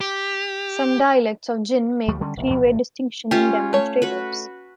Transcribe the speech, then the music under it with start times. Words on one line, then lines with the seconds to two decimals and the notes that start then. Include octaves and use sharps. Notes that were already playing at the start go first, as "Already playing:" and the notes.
Some dialects of Jin make a three-way distinction in demonstratives.
0.01 G4
2.08 D2 F3 G3 A3
2.21 D3 G3 C#4
2.37 F1 A#1
2.50 D#2 B2 F3 F#3
2.63 G#1 A#2
3.31 C#4 F4 G4
3.73 A3 C#5
4.02 F#4 B4